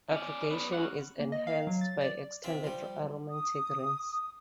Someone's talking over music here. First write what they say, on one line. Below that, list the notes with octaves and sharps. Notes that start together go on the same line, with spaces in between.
Aggregation is enhanced by extended aromatic rings.
C#4 D5
B3 D4
C#4 F#5
A#3
D#5
F5
F#3
A6
D5
C3 F4 E5
F3 G3
D#6